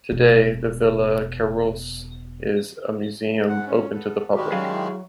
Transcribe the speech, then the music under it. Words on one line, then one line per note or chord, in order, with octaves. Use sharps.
Today, the Villa Kerylos is a museum open to the public.
E1 B2
G#2 F#5
C#4
B3 A4
D#3 G3 G#3 F#4 G4
F#3 C#4 G#4 F5
E4